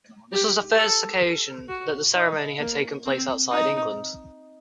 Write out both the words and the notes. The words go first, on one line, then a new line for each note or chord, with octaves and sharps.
This was the first occasion that the ceremony had taken place outside England.
G4
A4
F#4
D#4
A#3
C4
D#4